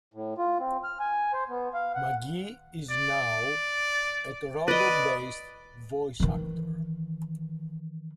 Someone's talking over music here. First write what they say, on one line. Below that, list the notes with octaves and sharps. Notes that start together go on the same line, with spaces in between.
Magee is now a Toronto-based voice actor.
A2
F4
C4
F6
G#5
C5
B3
F5
F#5
D5
B4 D5 D#5
D#3 E3